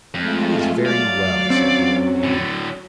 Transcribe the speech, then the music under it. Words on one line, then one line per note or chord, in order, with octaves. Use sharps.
"That is very well," said the old man.
F2 G#3 A3 F4
F#3 D5 F5
C4 C#4
A2 D3